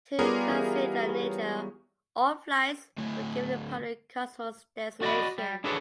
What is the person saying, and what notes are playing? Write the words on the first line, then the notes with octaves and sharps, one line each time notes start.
To conceal their nature, all flights were given the public Kosmos designation.
G3 B3 F4 G4 G#4 A#4
E3
C#5
D2 A2
F#4 D5 D#5 G5 B5
G3
D4 E4 G#4 A4 B4 C#5